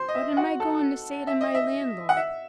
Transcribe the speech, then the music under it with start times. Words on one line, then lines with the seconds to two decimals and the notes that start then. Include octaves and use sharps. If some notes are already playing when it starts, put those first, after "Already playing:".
What am I goin' to say to my landlord?
Already playing: C5 C6
0.09 D#5
0.15 E5
0.37 F#4 F#5
0.60 A4 A5
1.27 E5
1.41 D#5
1.55 E5
2.09 F#5
2.17 E5